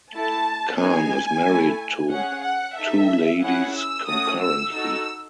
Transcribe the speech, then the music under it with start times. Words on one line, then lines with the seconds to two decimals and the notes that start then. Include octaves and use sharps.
Khan is married to two ladies concurrently.
0.13 A3 E4 A4 A5
0.79 B3 D#4 G#4 G#5
1.45 A3 E4 A4
2.10 C#4 G#4 F#5
2.43 F#5
2.76 D#4 A4 E5
3.42 C#4 E4 G#4 F#5
3.75 E6
4.08 A3 C#4 F#4 A4 D#6
4.41 E6
4.73 D#4 F#4 A4 E6